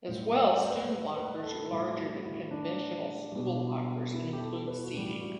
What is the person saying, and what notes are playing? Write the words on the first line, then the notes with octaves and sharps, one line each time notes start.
As well, student lockers are larger than conventional school lockers and include seating.
A2 G3 C5
D5
C5
B4
C5
B4
B4
A4
A2 G3 E4
F#4
E4
D4
B2 G3
E4
G4
A4
B4
F#4
A2 E3 G3 G4
F#4